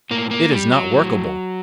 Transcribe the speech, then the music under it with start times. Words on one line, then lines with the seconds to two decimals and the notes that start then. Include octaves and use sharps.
It is not workable.
0.11 A2 A#3
0.31 A#3
0.52 G3
0.72 F#3
0.92 A2